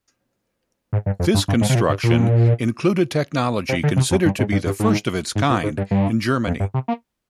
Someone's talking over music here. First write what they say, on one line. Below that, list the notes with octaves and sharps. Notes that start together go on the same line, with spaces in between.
This construction included technology considered to be the first of its kind in Germany.
G#2
G2
F2
G2
G2
G#2
C3
A#2
G2
A#2
C3
D3
C3
F2
G2
G#2
G2
G2
G#2
G#2
A#2
G#2
G2
G2
F2
G2
C3
A#3